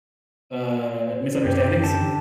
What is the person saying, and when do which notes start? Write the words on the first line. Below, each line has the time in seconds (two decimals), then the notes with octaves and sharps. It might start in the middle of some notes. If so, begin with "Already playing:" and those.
uh, misunderstandings?
1.44 F#2 G4
1.83 D3 A5